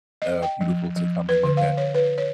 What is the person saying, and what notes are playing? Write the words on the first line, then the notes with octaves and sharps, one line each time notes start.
uh, beautiful to come and look at.
D#5
G5
F3
F3
B4
D3
F5
C#5
B4
C#5